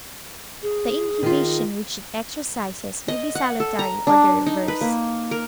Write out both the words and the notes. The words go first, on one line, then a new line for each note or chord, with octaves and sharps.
The inhibition which it exercises may be salutary or the reverse.
G#4
D#3 F4
D#5
F#5
A4
A#5
D4
D#4
B4
A#3
A#4